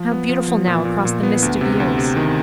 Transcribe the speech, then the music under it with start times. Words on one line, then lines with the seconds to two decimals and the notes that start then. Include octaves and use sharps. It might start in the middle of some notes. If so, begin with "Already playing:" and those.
How beautiful now across the mist of years!
Already playing: F3
0.11 B3
0.29 F3
0.48 F3
0.67 A#2
0.85 A#2
1.05 A#2
1.23 B3
1.42 D2
1.61 C3
1.80 D2
1.98 C3
2.16 D#3